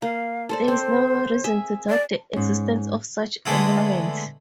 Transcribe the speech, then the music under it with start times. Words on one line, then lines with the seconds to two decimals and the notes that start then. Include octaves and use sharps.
There is no reason to doubt the existence of such a monument.
0.02 A#3 F5
0.49 A4 C5 D5
0.68 C4 C5
1.44 G#4 E5
1.89 D5
2.33 G#2 C#4
3.46 D3 G#3 A3 B3 E4